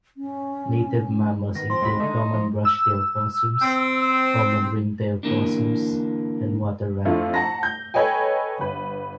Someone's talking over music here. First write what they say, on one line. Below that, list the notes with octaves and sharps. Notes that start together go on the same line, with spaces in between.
Native mammals include common brushtail possums, common ringtail possums and water rat.
C#4
D#3 B3 A#6
F3 C4 C6
D#2 F#3 G#3 B5
D3 A3 D#4
F3
E6
C4
D3 E3 A#3 D4
F2 D3 A3 E4 F4
F#5 A5 A#5 A#6
G6
A4 B4 C#5 D#5 G5 G#5
G1 B4